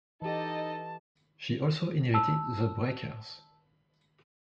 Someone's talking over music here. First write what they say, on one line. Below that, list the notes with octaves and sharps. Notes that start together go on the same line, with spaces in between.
She also inherited The Breakers.
E3 D#4 G4 A4 D#5 A5
A5 E6